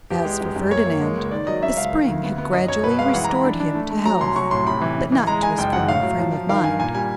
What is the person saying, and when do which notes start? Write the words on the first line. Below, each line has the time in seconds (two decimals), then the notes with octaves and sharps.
As for Ferdinand, the spring had gradually restored him to health, but not to his former frame of mind.
0.10 E2 G4
0.25 G#3
0.40 F#2
0.56 F#2
0.71 A#3 C#5
0.86 A#3
1.01 G#3
1.17 C#2
1.31 D#3 D5
1.47 F#3 D#5
1.62 C#3 E5
1.77 C#2 F5
1.93 D#3
2.08 D2
2.23 B3
2.38 B3
2.53 F#2 D#5
2.68 F#2 C#5
2.84 B2 B4
2.99 G#3 F5
3.14 E3 F#5
3.24 A#5
3.30 E3
3.35 B5
3.45 D4
3.60 D4
3.75 A3
3.91 A3
4.05 F#3 A#5
4.21 C2 C6
4.36 F#3 C#6
4.51 A2 C6
4.67 C3 B5
4.82 E3
4.97 C#3
5.12 E3
5.27 G#3 A#5
5.42 G#3 G#5
5.58 F#1 G5
5.73 F#2 F#5
5.88 A2 F5
6.03 F#3
6.19 F3
6.34 F3
6.49 D#3 F5
6.64 G2 G#5
6.80 A#2 G#5
6.95 G3 G#5